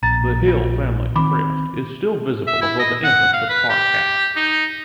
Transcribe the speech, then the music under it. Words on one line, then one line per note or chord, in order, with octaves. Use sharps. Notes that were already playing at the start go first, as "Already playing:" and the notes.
The Hill family crest is still visible above the entrance to the park house.
A#1 A#5 A6
F4
D#3 C4 B5 D6
E5
E4
D#5
F#5
F5
B4
G4
D#4